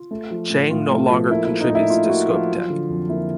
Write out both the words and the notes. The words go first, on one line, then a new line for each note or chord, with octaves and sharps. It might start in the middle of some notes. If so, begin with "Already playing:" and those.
Chang no longer contributes to ScopeTech.
Already playing: F4
A3
F3
A2
A2 F4
A3
F3
A#3 E4
E4
F3
D#4
A2
E4
A2 F4
A#3 F#4
F3 F4
F#3
D3
F2
A#3 E4